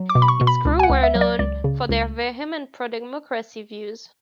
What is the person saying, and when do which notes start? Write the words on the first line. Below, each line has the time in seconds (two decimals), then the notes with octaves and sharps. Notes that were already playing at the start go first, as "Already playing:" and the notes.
Its crew were known for their vehement pro-democracy views.
Already playing: F#3
0.09 D6
0.15 B2
0.22 B5
0.28 C#6
0.41 B2
0.47 B5
0.65 C#2
0.79 G#5
0.83 F#5
0.90 C#2
1.03 E5
1.15 F#3
1.21 D5
1.39 C#2 D5
1.64 C#3
1.89 C#2